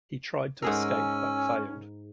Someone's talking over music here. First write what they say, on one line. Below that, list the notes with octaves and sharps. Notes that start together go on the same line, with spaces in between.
He tried to escape but failed.
G#2 C#4 G#4 A#4 G#5 E6